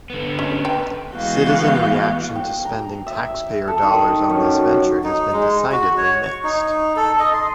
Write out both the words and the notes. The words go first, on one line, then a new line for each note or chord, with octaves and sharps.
Citizen reaction to spending taxpayer dollars on this venture has been decidedly mixed.
D3 B3
C#4
B4 G5
E3 G#3 B3 F#4 F5 G6
G5
A#5
E5
A4
D#3
F#2
D#4
G#3
F#4
C#5
C#6
D#4
A4
D#5
C6